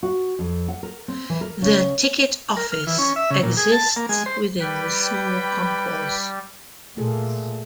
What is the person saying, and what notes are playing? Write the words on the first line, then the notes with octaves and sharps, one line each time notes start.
The ticket office exists within the small concourse.
F#4
F2
F#5
A#4
C4
E3
A#4
C#3
A#4
F6
E3
C#4
E5
C#3
A#2
G#4
A5
A#3
G#3
C5
G3 B4 G5 B5
A#2 A3 G#4 A4